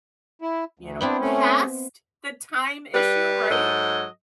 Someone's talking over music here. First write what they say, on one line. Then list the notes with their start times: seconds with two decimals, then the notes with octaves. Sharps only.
you know, past the time issue, right?
0.42 E4
0.79 D2
1.01 B3 C4 D4 E4
1.21 A3 C#4
2.95 G3 B4
3.51 G#2 F#3 A4 D#5